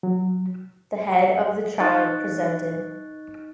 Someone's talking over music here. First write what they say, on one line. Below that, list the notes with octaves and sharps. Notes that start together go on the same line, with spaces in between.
The head of the child presented.
F#3
D#4 D#5 C#6 F#6 A6